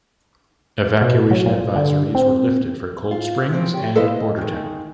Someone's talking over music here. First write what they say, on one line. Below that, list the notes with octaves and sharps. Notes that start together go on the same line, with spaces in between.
Evacuation advisories were lifted for Cold Springs and Bordertown.
B2
F#3
A#2
D3
C4
F4
C#3 F3 C4
F#3 G4
E4 A4 B4 C5 D#5 F5
D#5
D#3 G#3